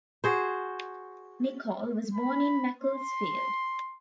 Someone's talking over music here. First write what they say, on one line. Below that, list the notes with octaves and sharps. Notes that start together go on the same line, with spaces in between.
Nicholl was born in Macclesfield.
F#4 G#4 C5
B5
C6